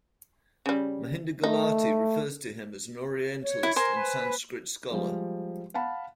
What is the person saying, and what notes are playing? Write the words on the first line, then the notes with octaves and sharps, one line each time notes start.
Mahinder Gulati refers to him as an Orientalist and Sanskrit scholar.
C#3 G3
A3 D#4
C#5
E4
A#4 C5 G#5
B4
F3 G3 G#3
F5 F#5 A5 B5